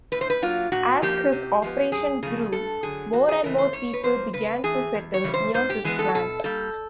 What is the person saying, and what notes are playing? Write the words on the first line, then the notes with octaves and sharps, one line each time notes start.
As his operation grew, more and more people began to settle near his plant.
A2 B4
C5
B4
F#3 A#3 F4
A#2 F#4
F3 A#3 G4
C3
F3 G#3 B3
F#2 G#4
C#3 F3 A3 G#4
G2 A4
D3 F#3 G#4
E2 F#4
G#4
C#3 E3 A3 A#4
C5
G#2 C#5
B4
F3 A#3 C5
C#3 B4
E3 A3 G#4
E2
C#5
C#3 E3 G3
C5
G#2 C5
G4
E3 G#3 B3 G#4
A4
B2 A4
G3 A#3 A4